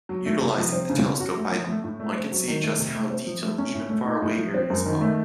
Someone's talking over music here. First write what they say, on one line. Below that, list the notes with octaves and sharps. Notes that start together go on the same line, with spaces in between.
Utilizing the telescope item, one can see just how detailed even far-away areas are.
F#3
A3
C3
F3
C4
C#3
C#4
F#4
A3
F3
A3
A2
A3
C4
F#3
D#3
A3
C3
A3
C4
F3
A3
C#4
A2
A3
D#4
A2
F3
C4
F#2
D#3
A3